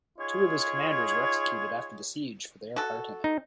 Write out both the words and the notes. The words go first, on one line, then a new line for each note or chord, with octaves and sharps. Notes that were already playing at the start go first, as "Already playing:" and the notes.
Two of his commanders were executed after the siege for their part in it.
D#4 F4 G#4 C#5
F#4 A4
D#4